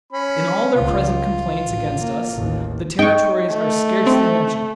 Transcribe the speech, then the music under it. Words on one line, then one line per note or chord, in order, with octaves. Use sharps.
In all their present complaints against us, the Territories are scarcely mentioned.
C#4 B5
C#2 F4
A1
A#3
A1 D#2
D#4 G5 C#6
A3
C4